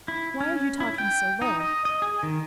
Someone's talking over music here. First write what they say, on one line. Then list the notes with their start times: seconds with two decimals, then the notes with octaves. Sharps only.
Why are you talking so low?
0.08 E4
0.41 C#4
0.80 E4
0.98 G5
1.42 D#4
1.60 D#5
1.85 D#5
2.02 G#4
2.23 D#3